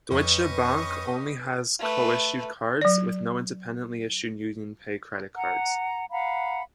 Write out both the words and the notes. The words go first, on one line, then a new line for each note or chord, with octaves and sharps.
Deutsche Bank only has co-issued cards, with no independently issued UnionPay credit cards.
F2 C#4 G4 B4 D#5 C#6
A3 B4
F#3 D5
F#5 A#5
F5 F#5 A#5 B5